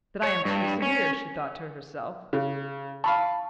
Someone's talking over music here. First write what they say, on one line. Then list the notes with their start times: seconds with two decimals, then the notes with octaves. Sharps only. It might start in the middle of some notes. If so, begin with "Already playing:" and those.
"But I am too severe," she thought to herself.
0.23 C#5
0.45 G2
0.82 C#4
2.33 C#3
3.04 F5 A5 B5 C#6